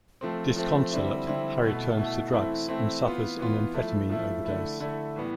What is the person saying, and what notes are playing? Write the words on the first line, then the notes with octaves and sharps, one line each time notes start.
Disconsolate, Harry turns to drugs and suffers an amphetamine overdose.
F3 A3 C4
F3 A3 C4
D3 G3 C4 E4
D3 G3 C4 E4
B2 A3 E4
B2 A3 E4
E3 A3 C4 E4
E3 A3 C4 E4
E3 B3 F4
E3 B3 F4
F3 A3 E4
F3 A3 E4
D3 A3 E4
D3 A3 E4
A2 E3 G3 B3